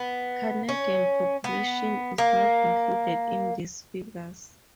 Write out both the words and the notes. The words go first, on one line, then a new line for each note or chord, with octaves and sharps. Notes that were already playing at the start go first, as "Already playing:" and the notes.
Canadian population is not included in these figures.
Already playing: B3
C#4
B3
A#3